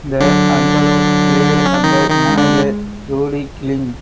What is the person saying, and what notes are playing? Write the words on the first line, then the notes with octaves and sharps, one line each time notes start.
The Antelopes played under manager Rudy Kling.
D3 F#3 D4
F#3
C#4
D4
D#3 D#4
D#3 D#4
G#3
D3 D4